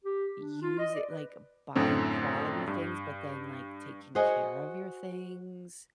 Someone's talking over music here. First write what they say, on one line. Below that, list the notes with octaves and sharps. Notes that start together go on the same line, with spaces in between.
use it, like, buying quality things, but then, like, taking care of your things.
G4
D4
F4
D#5
D5
B4
F#2 A2 D3 C4
G2
F#4 G#4 C5 D#5 F#5 G#5